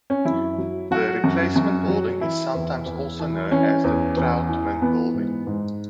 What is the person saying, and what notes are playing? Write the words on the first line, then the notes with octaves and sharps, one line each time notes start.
The replacement building is sometimes also known as the Trautman Building.
C#4
F#2 E4
F#3
F#3 F#4
F#2
F#2
F#3
E3 E4
E2
E2
E3
E3 C#4
E2
E2
E3
E3 B3
G#2
G#2